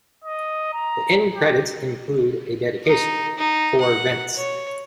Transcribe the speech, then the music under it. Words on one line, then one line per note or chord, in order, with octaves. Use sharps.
The end credits include a dedication, For Vince.
D#5
A#5
G4
D#4
D#4
F#5
C#5